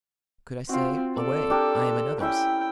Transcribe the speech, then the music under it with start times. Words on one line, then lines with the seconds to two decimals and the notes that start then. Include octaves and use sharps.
Could I say "Away! I am another's"?
0.69 C4 F4 F#4
1.17 A4 D5
1.50 D4 G4 A#4
2.20 C#4 E4 E5 G5